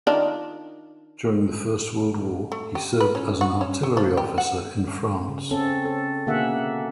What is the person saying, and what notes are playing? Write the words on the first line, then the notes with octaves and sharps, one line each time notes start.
During the First World War, he served as an artillery officer in France.
D#3 D4 F4
A3
G4
B4
C#4
F#4
C#4
A3
F3
G4
F#5
C#3
C4 C#4 A4
A4
B2 D3 A#3 G#4 E5 F#5